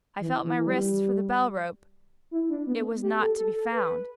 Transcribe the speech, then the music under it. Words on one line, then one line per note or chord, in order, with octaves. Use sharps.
I felt my wrists for the bell-rope: it was not to be found.
E3
E3
E3
G3
E4
D4
B3
G4
A4
A4
A4
B4